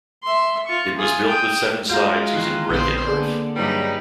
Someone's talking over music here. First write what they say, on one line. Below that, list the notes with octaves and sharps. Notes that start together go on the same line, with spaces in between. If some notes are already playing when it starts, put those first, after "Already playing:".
It was built with seven sides using brick and earth.
E5 C6
F4 C#6
F4 G#4
G5 D#6
G#3 F4 F#4 F5 A#5 G6
D#3 E3 A#5 F#6 C7
A#1 D3 B3 C4 C5 D#6
D3 A#3 G#4 D5
G2 F#3 G3 D#4 B4